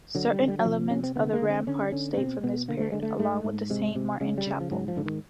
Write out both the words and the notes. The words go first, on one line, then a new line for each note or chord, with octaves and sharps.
Certains elements of the ramparts date from this period, along with the Saint-Martin chapel.
D3 F#3
G3
D3
G3
F#3
C3 F3
C3 C#4
C4
D3 B3
A#3
D3
C4
D3 C#4
D3 C#4
C#4
B2 C4
B2 B3
D3 A#3
A3
D3 G#3
A3
G#2 A3
G#2
C3 G#3
C3
C#3 G#3
G3
C#3
F3
G#2 F#3
F3
G#2 D3
D#3